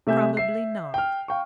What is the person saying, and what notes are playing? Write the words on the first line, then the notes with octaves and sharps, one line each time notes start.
Probably not.
C3 A3 E5 G#5 G6
E5 C7
G5 F6
F5 G5 C#6